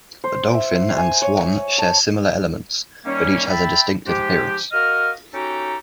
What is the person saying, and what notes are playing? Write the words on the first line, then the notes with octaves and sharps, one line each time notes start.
The Dolphin and Swan share similar elements, but each has a distinctive appearance.
C5
E5
G#5
C#5
A5
D#3 G3 A#3 C#4
E5 G5 A5 B5
G#2 F3 G#3 G4
F#4 A#4 D#5 F5 F6
C#4 D#4 F#4 G4 A4 A#5